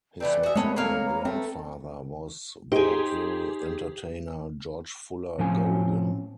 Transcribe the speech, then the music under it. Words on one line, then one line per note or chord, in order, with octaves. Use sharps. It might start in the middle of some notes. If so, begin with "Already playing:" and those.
His maternal grandfather was vaudeville entertainer George Fuller Golden.
E3 A3 C4 B4 D5
F#4 G#4 E5
G#3 A3 B3 C4 C#5 A5
A#3 A4 C#5 F5 A#5
B4
A3 C4 A4
D#4 G4 G#4 C5
A2 F3 C4 C#4 G#5